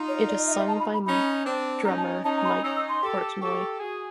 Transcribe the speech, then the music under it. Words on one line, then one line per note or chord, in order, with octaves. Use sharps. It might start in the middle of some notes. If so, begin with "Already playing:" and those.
It is sung by drummer Mike Portnoy.
Already playing: D#4 F4
C#5
D5
D#5
E5
E5
A5
B5
B5
C#4 D#4 B5
C4 D4
C#4 D#4 A#5
A5
C#4 D#4 A5
A#5
C6
B5
C#4 D#4 E6
E6
C6
G4 A4
G4 A4 C#6
F#4 G#4